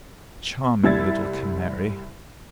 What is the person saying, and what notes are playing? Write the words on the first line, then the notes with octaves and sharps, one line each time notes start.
Charming little Canary!
C2 G3 E5 E6 G#6 A6